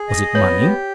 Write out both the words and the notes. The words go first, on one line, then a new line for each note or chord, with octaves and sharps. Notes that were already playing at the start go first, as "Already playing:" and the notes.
Was it money?
Already playing: G#4
D#5
B3 C#5
G4